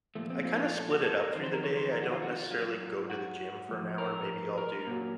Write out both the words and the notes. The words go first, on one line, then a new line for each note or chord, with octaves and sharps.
I kinda split it up through the day, I don't necessarily go to the gym for an hour, maybe I'll do
A#2 F3 A3
C4
F4
D#4
F4
A4
F#4
A4
A#4
F2 D#3 F#3 C5
C5
A#4
C#5
C5
A#4
F#4
F4
F#4
D#4
F4
F#2 D#3 F#3 F4
F#4
A2 F3
A#4
A#4
A#2 F#3